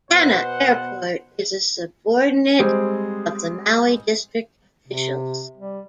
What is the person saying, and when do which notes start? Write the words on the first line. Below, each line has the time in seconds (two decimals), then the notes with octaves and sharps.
Hana Airport is a subordinate of the Maui District officials.
0.11 B2 B3 C5 F#5
2.59 G3 G#3 C4
4.88 C3
5.57 G3